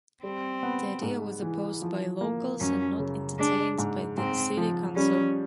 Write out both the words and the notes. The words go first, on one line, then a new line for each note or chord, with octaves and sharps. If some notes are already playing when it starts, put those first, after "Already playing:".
The idea was opposed by locals and not entertained by the city council.
G3 C4
B3
G#2
E3
F3
A#3
F#2 C#4
C#3
G#3 D4
G#2
G#2 C4
F3
G3 C#4